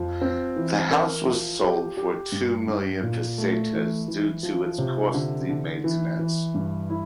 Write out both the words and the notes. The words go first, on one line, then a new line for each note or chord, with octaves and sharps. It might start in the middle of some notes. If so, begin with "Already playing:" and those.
The house was sold for two million pesetas due to its costly maintenance.
Already playing: F2 F3
C4
E3
A#4
F3
G4
G4
G2
G2
A#2
A3
E3
E3
F3
C3
D3
D3
E3
E3
G2
E4